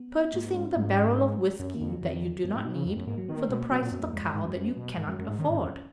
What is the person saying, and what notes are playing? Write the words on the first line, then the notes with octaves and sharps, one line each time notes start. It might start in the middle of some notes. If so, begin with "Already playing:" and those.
Purchasing the barrel of whiskey that you do not need for the price of the cow that you cannot afford.
Already playing: B3
G#2 A#3
C#4
G#2
F#2 C#4
A#3
F2
F#3
F2 D#3
F3
F#2 B3
G#2
B2 D#4
C#3
F2
F#2 B3
G#2 A#3
F#3
D#3 B3
A#3
G#3
B2 A#3
B2 F#3
A#2
F#2 B3
F2 A#3
F2 G#3
F#2
G#2
F#2
F#2 F#3
B2
G#2 G#3
F#2
F#2 G#3
G#2
D#3 C#4
G#2
F2